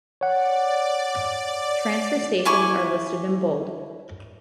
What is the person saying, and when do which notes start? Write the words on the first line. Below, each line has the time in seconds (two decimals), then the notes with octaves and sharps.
Transfer stations are listed in bold.
0.21 C#5 D5 F#5
2.45 E4 G#5 C#6 D6